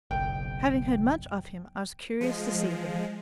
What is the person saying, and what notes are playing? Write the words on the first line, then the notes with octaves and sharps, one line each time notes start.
Having heard much of him, I was curious to see him.
F#1 B1 G5
F3 G#3